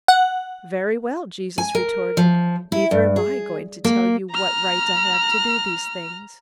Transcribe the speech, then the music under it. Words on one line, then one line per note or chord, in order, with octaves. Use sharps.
"Very well," Jesus retorted, "neither am I going to tell you what right I have to do these things!"
F#5
G#5
A#4
F3
E4
G2
G#4
A#3
A#5 F6